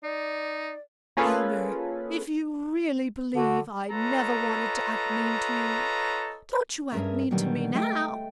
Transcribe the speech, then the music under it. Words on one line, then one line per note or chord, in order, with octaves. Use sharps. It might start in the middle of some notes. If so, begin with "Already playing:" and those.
"Elmer--if you really believe I never wanted to act mean to you, don't you act mean to me now!"
D#4 D5
A#3 C#4 F4 G#4 A4 B4
D3 F#4
F4 A4 B4 C#5 D#5 A#5
G2 C#4 G#4 A#4 E5
A#2 D3 D#3 F#3 G3 B3
G#3 A3 A4 G5